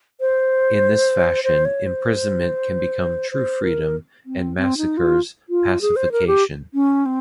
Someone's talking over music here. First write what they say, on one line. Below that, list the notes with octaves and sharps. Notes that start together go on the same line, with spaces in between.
In this fashion, imprisonment can become "true freedom", and massacres "pacification".
C5
C5
C#5
C5
C5
A#4
C4
C4
D#4
F4
F4
G#4
C5
A#4
G4
C#4
C4